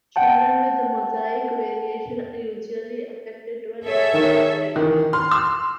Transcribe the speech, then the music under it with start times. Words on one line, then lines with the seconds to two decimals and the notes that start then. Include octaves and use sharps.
Children with the mosaic variation are usually affected to a lesser extent.
0.16 F#5 G5 A5
3.85 G#4 A4 C#5 E5
4.14 D#3
4.76 D#3 E3
5.13 C6 F6
5.31 E6